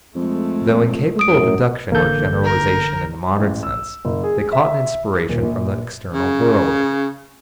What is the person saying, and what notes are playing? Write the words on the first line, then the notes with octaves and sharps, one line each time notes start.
Though incapable of induction or generalization in the modern sense, they caught an inspiration from the external world.
F2 G#3 A3
F#2 D#6 D7
A1 D3 A#3 A4 G6
A#4
A1
E6
F#1
G#4
E5
D#1
A#1
C#3